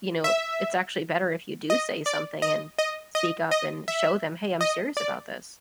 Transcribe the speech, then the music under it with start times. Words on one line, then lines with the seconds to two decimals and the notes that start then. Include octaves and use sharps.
you know, it's actually better if you do say something and speak up and show them, "Hey, I'm serious about this."
0.24 E5
1.70 D#5
2.06 D5
2.42 D#5
2.79 D#5
3.15 D#5
3.51 D#5
3.88 E5
4.61 D#5
4.97 D5